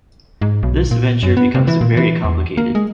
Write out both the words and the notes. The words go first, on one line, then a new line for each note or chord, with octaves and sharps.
This venture becomes very complicated.
G#2
B1
A#2
F#2
B3
C3
E3
A#2
E3
E2
A#3
G#3